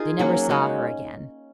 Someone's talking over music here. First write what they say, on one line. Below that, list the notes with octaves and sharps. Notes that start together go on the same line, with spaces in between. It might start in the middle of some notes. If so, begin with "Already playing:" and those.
They never saw her again.
Already playing: D#4 F4 G#4 A#4
F#3 A#3 C#4 F#4
G#3 C#4 F#4